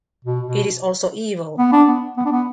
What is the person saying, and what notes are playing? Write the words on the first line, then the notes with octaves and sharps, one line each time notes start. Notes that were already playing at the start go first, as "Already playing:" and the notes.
It is also evil.
B2
B2
B3
D4
B3
B3
D4
B3